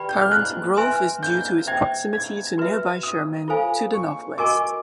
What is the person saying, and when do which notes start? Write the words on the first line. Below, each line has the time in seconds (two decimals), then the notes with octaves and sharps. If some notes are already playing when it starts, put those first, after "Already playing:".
Current growth is due to its proximity to nearby Sherman, to the northwest.
Already playing: G4 B4 D5 G5 B5
0.09 G6
0.21 F6
0.32 F#6
0.77 B4 E5 G#5 C6
1.23 G6
1.67 C5 E5 G5 G#6
2.13 G#6
2.58 F#4 B4 E5
3.03 D#6
3.48 F4 A4 C5 F5 G#5
3.93 C#6
4.38 F#4 A#4 D#5 G#5 C#6 D6